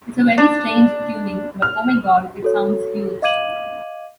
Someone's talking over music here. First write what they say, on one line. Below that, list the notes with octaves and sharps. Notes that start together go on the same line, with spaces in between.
It's a very strange tuning, but oh my God, it sounds huge.
D4
F6
F#4 A4 C#5
D#5 F5 D6 G#6 D#7 F#7